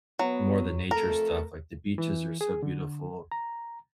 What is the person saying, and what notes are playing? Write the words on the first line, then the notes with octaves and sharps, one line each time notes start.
more of the nature stuff, like, the beaches are so beautiful,
F#3 B3
F2 A3 A4 A#4
E3
G#4
D3
A#5